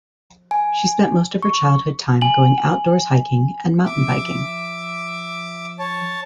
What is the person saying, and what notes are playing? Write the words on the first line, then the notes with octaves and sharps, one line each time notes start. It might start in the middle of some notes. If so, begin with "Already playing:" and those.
She spent most of her childhood time going outdoors hiking and mountain biking.
G#5
C#6
G#5 F#7
F3 E5 D6
C#5 A5